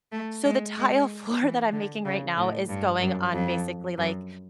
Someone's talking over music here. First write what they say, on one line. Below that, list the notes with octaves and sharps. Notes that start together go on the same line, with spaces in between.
So the tile floor that I'm making right now is going on basically, like,
A3
G#3
G#3
E3
D3
C#3
A2
G2
F#2
F2
F#2